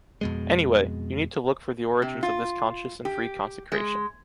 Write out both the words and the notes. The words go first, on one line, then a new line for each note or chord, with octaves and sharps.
Anyway, you need to look for the origins of this conscious and free consecration.
F2 B2 G#3
C3
F4
G4
G#3